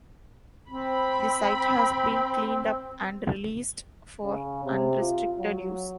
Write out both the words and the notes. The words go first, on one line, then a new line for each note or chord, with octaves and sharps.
The site has been cleaned up and released for unrestricted use.
C4 B5
C#3
C3
F4
F#3